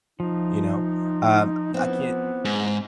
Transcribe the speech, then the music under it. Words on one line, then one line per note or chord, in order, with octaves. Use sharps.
you know? Um, I can't
F3 D#4
E3 B3 C4
G#2